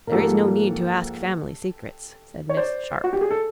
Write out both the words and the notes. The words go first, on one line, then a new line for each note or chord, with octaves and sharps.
"There is no need to ask family secrets," said Miss Sharp.
A#4
G#2 F3 A#3 G4 A4
C#5
C5 D5
F#4
G4
G#4
A4